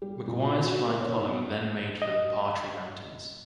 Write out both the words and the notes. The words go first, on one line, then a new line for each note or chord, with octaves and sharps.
Maguire's flying column then made for the Partry Mountains.
G3
A#2
F4
F#4
A#3
C#5
D#4
B3
D#5